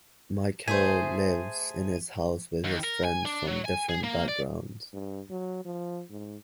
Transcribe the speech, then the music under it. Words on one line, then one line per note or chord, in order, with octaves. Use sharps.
Michele lives in his house with his friends from different backgrounds.
A3 G#4 C5 G#5
D#2
A#4
G#5
D4
F#3
G#5
G#4
A#3
D5
G2
F#3
F3
G#2